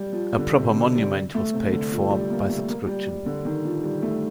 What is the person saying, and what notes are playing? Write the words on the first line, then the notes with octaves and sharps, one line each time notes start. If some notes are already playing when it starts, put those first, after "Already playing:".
A proper monument was paid for by subscription.
Already playing: G3
F3
D3
C3
D3
G3
A3
C3
D3
F3
G3
A#3
A3
A#3
G3
G3
D3
D#3
F3
G3
A3